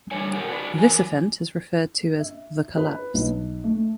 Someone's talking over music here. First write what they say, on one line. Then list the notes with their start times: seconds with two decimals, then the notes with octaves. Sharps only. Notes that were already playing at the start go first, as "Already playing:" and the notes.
This event is referred to as "the collapse".
0.11 E2 D3 G3 C#5 G#5
0.34 G4 A#4 F#5
0.49 F#4 B4 D5
0.77 E3 F#3 A#4 G#5
2.19 E5
2.77 B4
3.14 B1
3.64 A3